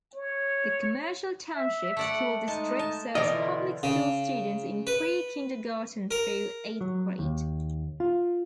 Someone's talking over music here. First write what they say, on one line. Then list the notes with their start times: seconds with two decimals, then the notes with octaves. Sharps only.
The Commercial Township School District serves public school students in pre-kindergarten through eighth grade.
0.15 C#5
1.56 E5
1.97 A3 D5 F#5
2.48 G#3 D#4 D#5 A5
2.79 A5
3.15 B2 E3 B3 A#4 D5 D#5
3.30 D3 E4 F4
3.83 C#3
4.87 B4
6.11 A#4
6.81 F#3
7.19 D#2
8.00 F4